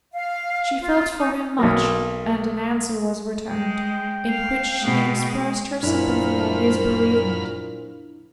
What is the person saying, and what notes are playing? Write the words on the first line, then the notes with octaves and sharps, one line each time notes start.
She felt for him much, and an answer was returned, in which she expressed her sympathy at his bereavement.
F5
F4
D#4
B1 F#3 A#3
G#3 G5
F5
B2 G#3
G#3
F#2 A#2 D4 E4 C5 B5 F6